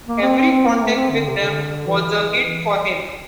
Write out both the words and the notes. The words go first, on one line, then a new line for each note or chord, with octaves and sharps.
Every contact with them was a hit for him.
A#3
C4
C4
C4
A#3
A3
C4
D3
C3
D3
E3